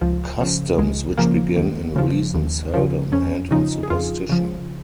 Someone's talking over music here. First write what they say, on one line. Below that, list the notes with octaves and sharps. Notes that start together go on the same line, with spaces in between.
Customs which begin in reason seldom end in superstition.
C#2 F3
C#3 F3
C#2 G#3
C#3 F3 A#3
D#2
C#3 F3
D#2
C#3 F3
F2 C#4
C#3 F3 D#4
G#4
F2 F4
C#3 F3